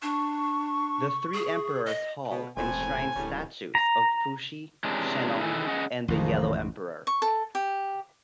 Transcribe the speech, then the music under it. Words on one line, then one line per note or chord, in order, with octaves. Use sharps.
The Three Emperors Hall enshrines statues of Fuxi, Shennong, and the Yellow Emperor.
D4 C#6
G#4
D#5
B2
E1 A2 C4 G#5
D1 A2 G3 C#4
A#5
C3 E3 G#3 C#4 D4
D#3 E3 G#4 A4
C#4 G#4 D#5 F#5
A1 F2 G#2 C3 D#3 F3
C#6
A4
G4